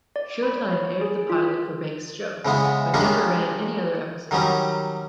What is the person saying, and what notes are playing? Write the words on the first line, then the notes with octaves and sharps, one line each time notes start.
Showtime aired the pilot for Banks' show, but never ran any other episodes.
D5
B5
C#5
G#4
F4
C#3 E3 G#3 B3
G3 G#3 A#3 C#4 D4
D#3 F#3 G3 C#4 A#5